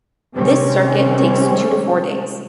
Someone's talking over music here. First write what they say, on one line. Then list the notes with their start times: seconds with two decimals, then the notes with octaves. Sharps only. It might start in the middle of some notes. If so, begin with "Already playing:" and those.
This circuit takes two to four days.
0.34 C3 D#3 G3 G#3 C4 C#4